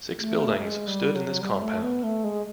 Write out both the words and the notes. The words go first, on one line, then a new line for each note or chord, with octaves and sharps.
Six buildings stood in this compound.
A3
G#3
G3
F#3
G3
A3
B3
A3
G#3